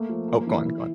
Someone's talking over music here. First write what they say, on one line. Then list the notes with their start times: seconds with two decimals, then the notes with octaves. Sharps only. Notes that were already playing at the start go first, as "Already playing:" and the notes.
oh, go on, go on.
Already playing: A3 A#3
0.09 F3
0.28 A#3
0.47 E3
0.66 E4